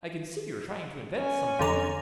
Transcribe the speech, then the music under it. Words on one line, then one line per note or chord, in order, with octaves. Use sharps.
'I can see you're trying to invent something!'
C#4 G#5
F2 D3 A#5